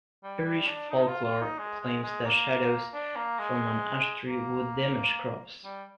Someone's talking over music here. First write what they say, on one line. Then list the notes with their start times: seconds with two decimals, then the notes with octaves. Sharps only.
Irish folklore claims that shadows from an ash tree would damage crops.
0.23 G3
0.46 G3
0.67 D4
0.91 D#4
1.07 F4
1.24 F4
1.41 D#4
1.58 G#3
1.81 G#3
2.03 G#3
2.26 A#3
2.94 D4
3.16 A#3
3.39 G#3
4.28 A#3
5.65 G3